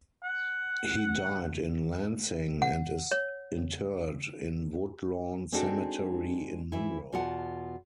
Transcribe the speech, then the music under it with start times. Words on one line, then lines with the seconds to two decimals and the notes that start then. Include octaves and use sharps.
He died in Lansing and is interred in Woodlawn Cemetery in Monroe.
0.23 F#5
2.62 F#5
3.11 C#5
5.52 G#3 C4 D4 D#4 F#4 A4
6.72 E3 E4
7.12 E2 B2 F4 F#4 F#5 A5